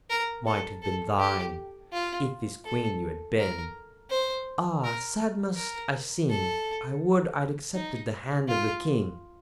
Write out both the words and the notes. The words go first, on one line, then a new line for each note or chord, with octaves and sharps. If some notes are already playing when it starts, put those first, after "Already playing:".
It might have been thine, If his Queen you had been.' 'Ah! sad must I sing! I would I'd accepted the hand of the King.'
A#4
A4
A4
G4
F4
A4
A#4
C5
A#4
A#4
A4
D#4
F4